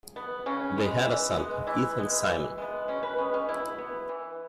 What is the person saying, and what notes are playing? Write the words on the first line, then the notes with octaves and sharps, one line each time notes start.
They had a son, Ethan Simon.
B3
C#3 C#4
G#3 B3
E3
G#3 B3
E3 E4
G#3 B3
E3
G#3 B3
B2 C#4
B4
G#3 B3 C#4
C#4
B2 E4
B3
E3